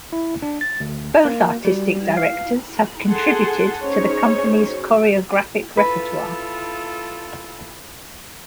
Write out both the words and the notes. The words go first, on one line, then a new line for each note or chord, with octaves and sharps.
Both Artistic Directors have contributed to the company's choreographic repertoire.
E4
D4
A6
D2
A#3
G3
F5
G#4 A4 F#5 G#5 A5 C6
C#4 D#4 G#4 C5 C#5
E4 F4 A4 B4